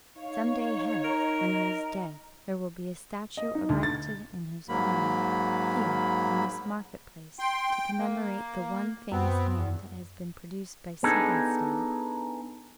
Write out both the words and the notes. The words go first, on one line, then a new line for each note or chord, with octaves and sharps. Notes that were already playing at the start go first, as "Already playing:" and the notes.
Some day hence, when he is dead, there will be a statue erected in his honour here in this market-place, to commemorate the one famous man that has been produced by Siebenstein.
D#4 C#5 F5
A#4 D#5 A#5
D#5
D#4
D2
A6
G#2 F#3 A#3 B5
G5 C6
G5
A#3
F#2 B3 C4
E2
B3 D4 D#4 G#4 A4